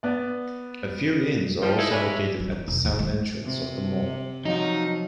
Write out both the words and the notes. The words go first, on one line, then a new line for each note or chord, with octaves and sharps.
A few inns are also located at the south entrance of the mall.
B3 D5
F3 G3
D#4 E4 G#4 A4
G#3 C#4 B4 D5 E5
F#3
E3
E1
D#2
G#3
C3
F3 F#3 D#4 F5